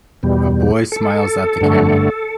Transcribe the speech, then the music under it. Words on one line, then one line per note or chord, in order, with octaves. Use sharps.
A boy smiles at the camera.
E2 B2 G3
A4
G2 D3 A3